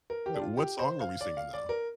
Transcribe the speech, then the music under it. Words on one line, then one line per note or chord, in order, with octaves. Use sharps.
Wait, what song are we singing, though?
A#4
G4
D4
F4
G4
C5
F5
D5
F5
D5
A#4